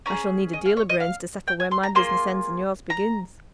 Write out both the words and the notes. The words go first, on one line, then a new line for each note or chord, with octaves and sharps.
'I shall need a deal o' brains to settle where my business ends and yo'rs begins.'
C#4 F4 G#4 A#5
D#5
F5
C#5
D#5
F5
G5
G#5
C6
A#5
A#3 F4 G#4 C6
A#5